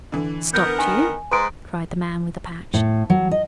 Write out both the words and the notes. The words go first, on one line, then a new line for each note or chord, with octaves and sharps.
"Stopped you?" cried the man with the patch.
D3 E3
B3 A#4 G6
D#3 G#5
G#2 B4 C6 D#6 D7
A2
F#3
D#5